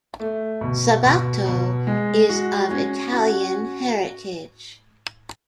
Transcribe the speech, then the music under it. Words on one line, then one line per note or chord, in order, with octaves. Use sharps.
Sabato is of Italian heritage.
A3
B2
B2
B2
G#3
F#4
C#4
F#4